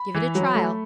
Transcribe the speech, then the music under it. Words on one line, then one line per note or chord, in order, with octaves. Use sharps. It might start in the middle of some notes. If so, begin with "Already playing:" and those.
Give it a Trial.
Already playing: B5
E3
F#3
A3